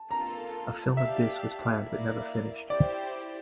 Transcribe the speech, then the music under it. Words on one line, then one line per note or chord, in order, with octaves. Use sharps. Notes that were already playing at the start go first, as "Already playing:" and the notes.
A film of this was planned but never finished.
Already playing: A5
A#3 F4 A4 A#5
G4 D5 E5 F5 A5
A#3 E4 A#4 D5 F5
E4 G4 C5 D5